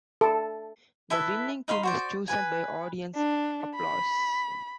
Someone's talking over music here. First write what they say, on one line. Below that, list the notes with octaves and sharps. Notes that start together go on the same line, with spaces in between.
The winning team is chosen by audience applause.
A4
E4 A4 B4 E5
D#4 F5 B5 C6
F#4 C5 D5
B4 G#5
D4
B5